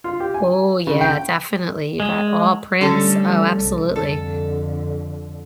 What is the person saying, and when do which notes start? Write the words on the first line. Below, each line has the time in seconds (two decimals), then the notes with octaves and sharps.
Ooh yeah, definitely, you got all Prince. Oh, absolutely.
0.04 F4
0.20 G4
0.34 G#5
0.87 C#3
1.01 G5
2.00 G#3
2.81 D3 G3 A3 C#4 A4
3.61 C2
3.96 F2 D3 A4